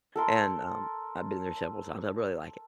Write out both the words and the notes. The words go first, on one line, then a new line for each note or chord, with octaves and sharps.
and, um, I've been there several times, I really like it.
A4 A#4 C6